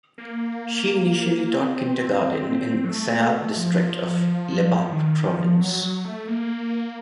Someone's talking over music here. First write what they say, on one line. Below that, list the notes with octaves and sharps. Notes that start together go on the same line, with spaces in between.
She initially taught kindergarten in Sayat district of Lebap province.
A#3
C4
F#3
A3
F3
D#3
F3
F#3
F#3
A3
A#3